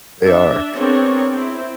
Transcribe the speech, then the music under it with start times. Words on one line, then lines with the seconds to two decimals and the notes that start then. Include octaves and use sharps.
They are,
0.21 D4 E5
0.76 B3 C4 D4 G#4 A#4 C#5
1.33 C4 E4